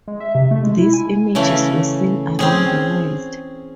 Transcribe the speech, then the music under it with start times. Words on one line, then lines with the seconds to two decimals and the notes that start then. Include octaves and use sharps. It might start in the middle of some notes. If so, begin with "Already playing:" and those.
These images were seen around the world.
0.08 G#3
0.20 E5
0.35 C3
0.51 A3
0.63 G#3
0.78 E4
0.93 G#5
1.35 C#3 E3 A3 C#4
2.39 C4 C#4 G#4